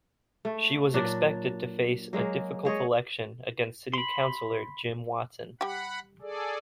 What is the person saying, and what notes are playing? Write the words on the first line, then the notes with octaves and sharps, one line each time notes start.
She was expected to face a difficult election against city councillor Jim Watson.
A3
A#2 F#3 D4
F#3 G#3 A#3
G#3 C#5 D#5
B5 C6
G3 G4 F#5 B5
G#4 A4 D5